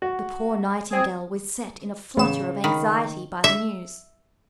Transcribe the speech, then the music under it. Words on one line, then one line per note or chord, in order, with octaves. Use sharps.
But the poor Nightingale was set in a flutter of anxiety by the news.
F#4
C4 G#4
A1 C#3 E7
D#3 B5
E5